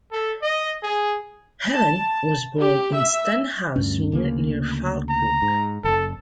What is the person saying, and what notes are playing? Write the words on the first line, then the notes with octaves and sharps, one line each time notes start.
Helen was born in Stenhousemuir, near Falkirk.
A4
D#5
G#4
A5
G4
E5
D2 G2 C#4
D2 C#3 A#3
A#5
G#2
F#1 F#2 A4